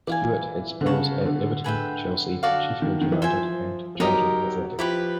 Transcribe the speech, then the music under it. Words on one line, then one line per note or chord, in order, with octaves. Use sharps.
Stuart had spells at Everton, Chelsea, Sheffield United and Charlton Athletic.
E3 D5 F5 G#5
D3
C#3 C#5 F#5 A5
D3
G#4 B4 E5 G5
F#4 A4 D5 F5
D#3
D#3
E3
F3 C5 E5 G#5
F3
F#3 D#4 G4 A#4 D#5
F3 E4 G4 B4